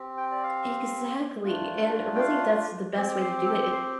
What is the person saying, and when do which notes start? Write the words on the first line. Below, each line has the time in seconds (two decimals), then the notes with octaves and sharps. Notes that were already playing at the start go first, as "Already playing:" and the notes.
Exactly, and really that's the best way to do it
Already playing: C4 G4
0.17 G5
0.31 D5
0.43 F5
1.44 A3 D4 F4
2.15 G5
2.20 F5
2.95 C4 G4 D5
3.21 C5
3.46 A4
3.72 C5